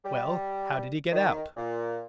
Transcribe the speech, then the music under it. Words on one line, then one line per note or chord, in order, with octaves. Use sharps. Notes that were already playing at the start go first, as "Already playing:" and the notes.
"Well, how did he get out?"
G3
D#3
A#2